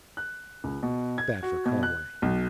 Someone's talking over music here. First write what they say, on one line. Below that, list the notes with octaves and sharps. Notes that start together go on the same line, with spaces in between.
Bad for Conway.
F#6
C#2
B2
G#6
F#4
B2
F#6
B1